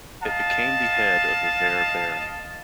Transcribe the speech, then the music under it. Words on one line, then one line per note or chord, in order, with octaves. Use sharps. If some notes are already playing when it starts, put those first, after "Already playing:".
It became the head of the Vere barony.
D#5 F5 A5